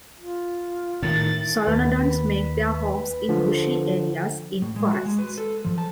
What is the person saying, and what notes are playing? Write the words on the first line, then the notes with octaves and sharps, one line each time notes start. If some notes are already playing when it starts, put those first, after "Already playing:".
Solenodons make their homes in bushy areas in forests.
F4
A2 D#3 A6
D#2 B4
D3 F3
A2
G#3
F#4
G#3
B4
A4
F3
A5